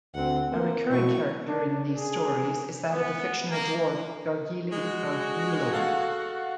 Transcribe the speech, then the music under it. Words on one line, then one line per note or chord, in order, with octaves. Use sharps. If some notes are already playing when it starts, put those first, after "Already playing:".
A recurring character in these stories is that of the fictional dwarf Gargilli Gargiulo.
D2 C4 F#5
A#3 C5
B2 E4 C#6
D4
G#4
B3
A#3
G#3 F#4
A4 F5 F#5